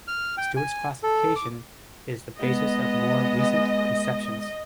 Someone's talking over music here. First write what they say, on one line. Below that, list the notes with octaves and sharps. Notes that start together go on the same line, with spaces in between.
Stewart's classification is the basis of more recent conceptions.
F6
G5
G#5
A4
D6
G#3 B3 D#5